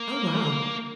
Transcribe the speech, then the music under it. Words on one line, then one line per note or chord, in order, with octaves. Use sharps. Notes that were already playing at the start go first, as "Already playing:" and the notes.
Oh, wow.
Already playing: A#3